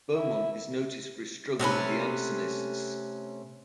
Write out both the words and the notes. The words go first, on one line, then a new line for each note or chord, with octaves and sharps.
Beaumont is noted for his struggle with the Jansenists.
E4
C3 A3 C#4 B4